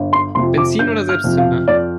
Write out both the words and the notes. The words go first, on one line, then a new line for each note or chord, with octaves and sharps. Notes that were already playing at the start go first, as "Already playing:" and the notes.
Benzin oder Selbstzünder?
Already playing: G1
C6
F2 C3 F3 C6
D6
G1 G6
F6
F2 C3 F3
F5
F2 D5